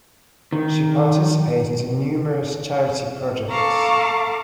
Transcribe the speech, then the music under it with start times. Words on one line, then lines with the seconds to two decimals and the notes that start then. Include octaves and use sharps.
She participated in numerous charity projects.
0.52 D#3
3.49 A4 F5 A5 A#5 C#6 D6